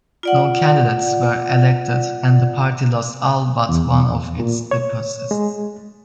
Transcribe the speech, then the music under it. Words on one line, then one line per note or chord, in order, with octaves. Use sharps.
No candidates were elected, and the party lost all but one of its deposits.
F4 D5 F#5
E2
A#2
C#5
G#3